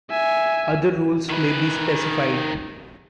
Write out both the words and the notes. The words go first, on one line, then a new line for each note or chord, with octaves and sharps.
Other rules may be specified.
E5 G#5
D#3 B4